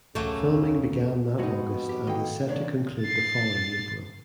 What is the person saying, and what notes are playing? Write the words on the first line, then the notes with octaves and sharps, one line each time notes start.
Filming began that August and is set to conclude the following April.
E1 C#2 A2 C#3 F#3 A3 A#3 A4
F2 B2 F3 G#3 D#4 F#4
G4
D#3 A#3 A4 D#5 G5
E2 A2 D4 C#5 D5 F5
A6 C7